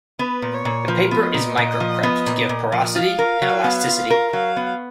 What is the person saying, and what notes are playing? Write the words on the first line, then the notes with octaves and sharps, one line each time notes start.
The paper is microcrepped to give porosity and elasticity.
B3 B4
A#2
C#5
A#2
F3 B4
B3
D#5
A#2
A#2
F3
B3
A#2
A#2
F3
F4 F5
A#4
F#3
B3
F4
A#4
F#3 F5
B3